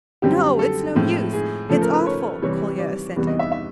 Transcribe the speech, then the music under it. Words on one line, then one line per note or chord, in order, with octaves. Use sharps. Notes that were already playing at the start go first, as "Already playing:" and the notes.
"No, it's no use, it's awful," Kolya assented.
F#2 D3 G3 C4 G4
A4
A2 F3 G#3 C4
G#4
C#3 F3 A3 A4
A#4
B4
C#5
C3 E3 G3 C#5
D5
E2 C3 E3 G3 B3
D#5
E5
E5